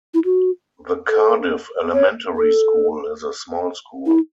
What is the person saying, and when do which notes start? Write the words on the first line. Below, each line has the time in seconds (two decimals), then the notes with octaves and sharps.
The Cardiff Elementary School is a small school.
0.14 E4
0.25 F#4
1.09 A4
1.94 C#5
2.36 A4
4.06 E4